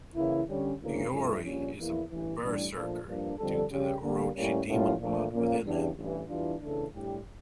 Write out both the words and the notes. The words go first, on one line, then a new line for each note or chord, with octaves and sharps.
Iori is a berserker due to the Orochi demon blood within him.
C#3 E3 A#3 E4
D3 G3 C#4
D2 C#3 E3 A#3
G2 F3 A3 E4
A#1 A#2 G3 C#4
E2 E3 A#3 E4
A1 G2 E3
A1 A2 G3 D4
A#2 F3 A3 D4
G2 F3 A#3 D4
F2 D3 G3 D4 A4
C#3 G3 C#4 G4
D3 G3 A#3
A2 G3 A#3 C#4
A2 G3 A#3 C#4 F4
A#2 F3 A3 D4
A#2 F3 A#3 C#4
E2 C#3 G3 D4 G4
A1 G2 E3
E2 E3 G3 D4 F4
C#3 E3 A3 D4 A4
A2 G3 D4 G4